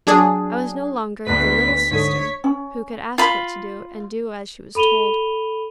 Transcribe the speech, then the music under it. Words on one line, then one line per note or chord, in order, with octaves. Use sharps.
I was no longer the "little sister" who could ask what to do, and do as she was told.
F#3 D4 G#4
D2 B3 B4 B6
G#2 D3 C#5 D#6
C#4
F4 B5
A4 B5 D#7 F7 G7